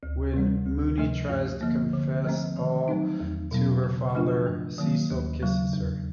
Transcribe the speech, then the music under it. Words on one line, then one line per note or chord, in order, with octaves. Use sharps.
When Mooney tries to confess all to her father, Cecil kisses her.
D2
C3 E3 G3 C4
D2
C3 F3 A3
G2
D3 F3 A#3
D3
F3 A3 C4
D#3
F#3 A3 C4 D#4
E2
B2 F#3 B3
C#3
F3 A3 D4 F4
G2
D#3 F#3 A#3
D#2
C#3 F#3
E2